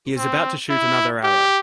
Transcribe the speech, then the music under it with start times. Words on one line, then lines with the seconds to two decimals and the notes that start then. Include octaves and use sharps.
He is about to shoot another arrow.
0.17 C4
0.70 E4
1.23 G4